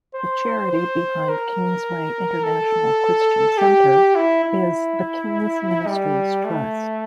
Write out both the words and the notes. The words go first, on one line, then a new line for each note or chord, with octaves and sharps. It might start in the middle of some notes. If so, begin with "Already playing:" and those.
The charity behind Kingsway International Christian Centre is "The King's Ministries Trust".
C5
C5
A#4
A4
G4
E4
E4
G3
A3